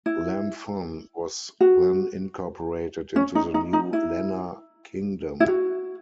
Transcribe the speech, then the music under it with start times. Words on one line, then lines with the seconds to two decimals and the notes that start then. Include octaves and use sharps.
Lamphun was then incorporated into the new Lanna Kingdom.
0.06 E4
1.60 F#4
3.16 C#4
3.35 D#4
3.54 D#4
3.73 D#4
3.93 E4
5.40 E4
5.48 F#4